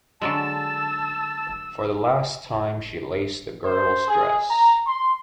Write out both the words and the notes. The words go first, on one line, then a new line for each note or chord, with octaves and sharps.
For the last time she laced the girl's dress.
D3 F#3 G#3 A5 E6
C5
G#4
A#5
C6